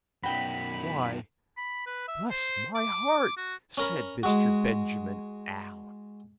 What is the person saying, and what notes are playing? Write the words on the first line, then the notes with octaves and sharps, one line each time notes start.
'Why, bless my heart!' said Mr. Benjamin Allen.
B1 F#2 F#4 G5 B5
B5
B4
E5
C5
D6
F#4
C#4 A#4 B5
G#3 F#4